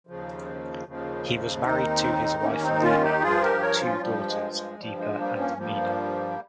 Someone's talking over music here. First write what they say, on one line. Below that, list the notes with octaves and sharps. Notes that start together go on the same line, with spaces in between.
He was married to his wife Leena and had two daughters Deepa and Mina.
D#2 C#3 F3
D#2 C#3 F3
D#2 D#3 C4 D#4
D#2 D#3 A#3 C#4
C4 D#4
C#4 F4
D#4 G4
G2 F3 F4 G#4
G4 A#4
A#4 C#5
C#4 F4
G2 F3 G3
G#3
G#3
G2 F3 G3
G#3
G3 A#3
A#3 C#4
G2 F3 G3 A#3